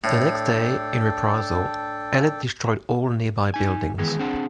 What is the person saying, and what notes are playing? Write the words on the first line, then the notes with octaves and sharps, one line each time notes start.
The next day, in reprisal, Ellet destroyed all nearby buildings.
A2 D4 A4 G5
D#4 G#5
D#3 E3 G#3 B3 G#4
C4 D4 G#4 F#5